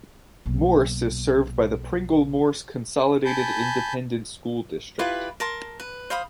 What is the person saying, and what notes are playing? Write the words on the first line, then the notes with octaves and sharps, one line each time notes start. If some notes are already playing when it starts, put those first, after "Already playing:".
Morse is served by the Pringle-Morse Consolidated Independent School District.
B1 A#3
G#5 A5 B5 G6
E4 F4 G4 B4
A#4 A5 C6
B4
C5 F5 B5 D#6